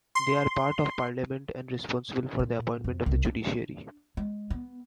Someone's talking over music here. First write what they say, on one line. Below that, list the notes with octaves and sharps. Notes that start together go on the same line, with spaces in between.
They are part of Parliament and responsible for the appointment of the judiciary.
C6
A#2
F2
C2
D4
G#3
B3